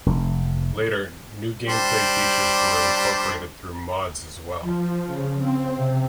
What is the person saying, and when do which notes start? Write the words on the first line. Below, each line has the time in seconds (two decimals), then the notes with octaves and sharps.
Later, new game play features were incorporated through mods as well.
0.06 F1
1.68 G3 D4 C5
4.61 F3
5.06 C#3
5.38 C4
5.76 C3